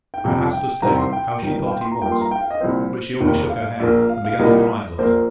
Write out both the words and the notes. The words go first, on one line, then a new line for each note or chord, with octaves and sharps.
I asked Ustane how she thought he was; but she only shook her head and began to cry a little.
G5
G1 F2 C3 F3
G5
C2 C3 D#3 C4 A#5
C6
G5
G1 G2 D#3
F5
G5
C6
A#5
G2 F3 A#3 G5
C6
A#5
G5
F5
D#5
C2 A#2 F3 C4 C5
F1 D#2 D#3
F5
A#1 A#2 A#3
F5
F5
C2 A#2 G3 A#3 D#5
A#1 A#2 A#3 C5